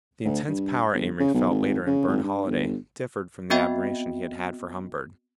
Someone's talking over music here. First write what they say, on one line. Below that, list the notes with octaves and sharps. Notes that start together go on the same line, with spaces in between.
The intense power Amory felt later in Burne Holiday differed from the admiration he had had for Humbird.
D2
G2
G1
C#3
B1
G#1
C#3
G#1
G2
G1
B3 C4 F#4 D#5 E5 G5